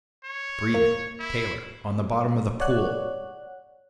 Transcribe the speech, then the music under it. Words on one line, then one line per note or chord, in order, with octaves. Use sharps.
Breathing, Taylor, on the bottom of the pool!
C#5
A#3
E4
C#5 D5 F#5 F#6